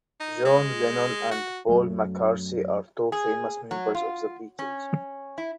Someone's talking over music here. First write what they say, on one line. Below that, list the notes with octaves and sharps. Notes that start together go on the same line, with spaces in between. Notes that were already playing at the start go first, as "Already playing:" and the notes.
John Lennon and Paul McCartney are two famous members of the Beatles.
D#4
G#3
F#4
F#2 F#3 A3
G#4
F#3
F4
C#4
E4